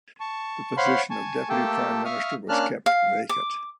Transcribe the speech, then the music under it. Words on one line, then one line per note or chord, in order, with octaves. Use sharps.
The position of Deputy Prime Minister was kept vacant.
A5 C#6
C5 C#5 F5 F#5 B5 C6
G#5 A5 C#6
A3 A#3 G4 A4 G5 A5
E5 F5 C#6 D#6 F6
A#3 C#4 D4 A5 F6 F#6
F5
D6